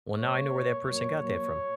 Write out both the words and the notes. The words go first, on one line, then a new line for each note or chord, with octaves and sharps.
Well, now I know where that person got that from.
A#2 G#3 C#5
A#2 A#3
F#2 F#3 A#3 C#5
A#2 F#3 A#3 C#5